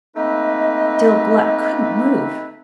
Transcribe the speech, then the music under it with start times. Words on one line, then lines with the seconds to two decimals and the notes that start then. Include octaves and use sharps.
Still Gluck couldn't move.
0.15 A3 A#3 C4 D#4 B4 D#5